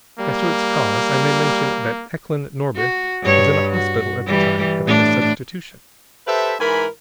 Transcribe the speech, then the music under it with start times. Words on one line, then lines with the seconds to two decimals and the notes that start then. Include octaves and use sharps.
As to its cause, I may mention that Eklan Norbith was in a hospital at the time, having a substitution.
0.19 G3 A#3
2.76 F#4
3.23 G2 C#5
3.70 F#4
4.27 E3 G3
4.86 A2 D4
6.27 G4 A4 B4 C5 E5
6.60 G#2 E3 A#4 G#5 B5